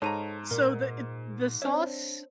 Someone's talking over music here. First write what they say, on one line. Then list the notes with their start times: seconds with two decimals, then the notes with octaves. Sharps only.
So, the eh the sauce
0.02 G#2 A4 C#5 D#5 A5 A#5 D#7
0.51 A#2 A#4
1.62 C4 D4 C5 C#5 E5